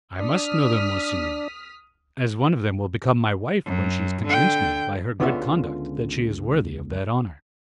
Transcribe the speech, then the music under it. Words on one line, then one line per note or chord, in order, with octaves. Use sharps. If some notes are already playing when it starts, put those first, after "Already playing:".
"I must know them, monsignor, as one of them will become my wife when she has convinced me by her good conduct that she is worthy of that honour."
D4 D#6 F6 B6
F#2
D3 G5
C#2 D3 B3 C#4 F4 E5